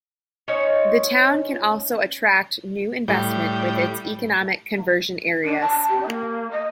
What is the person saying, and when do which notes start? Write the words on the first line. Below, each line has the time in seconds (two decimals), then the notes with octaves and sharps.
The town can also attract new investment with its economic conversion areas.
0.48 C#4 D#4 C5 C#5
3.08 A2 G3 G6
5.44 D4
5.61 A5
5.89 G4
6.07 A#3
6.51 D#5